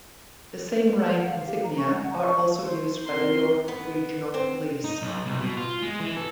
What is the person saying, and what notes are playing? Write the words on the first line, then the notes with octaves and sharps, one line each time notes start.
The same rank insignia are also used by the York Regional Police.
B4
A4
F#5
F5
G4
A#5
C#6
F#5
A#5
C#6
C5
C4 A#4 C6
B3
C4
D#4
B1
C2
B2
F4
G#3
E3
A4